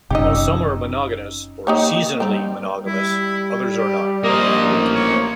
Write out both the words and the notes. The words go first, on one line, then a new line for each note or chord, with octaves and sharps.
While some are monogamous or seasonally monogamous, others are not.
F#1 C3 C#4 D#4 G4 D#5 E6
A#3 D#4 G4 C#5
G3 C4 D#4
G3 E4
G4
A#3 C5 D#5
A1
C#5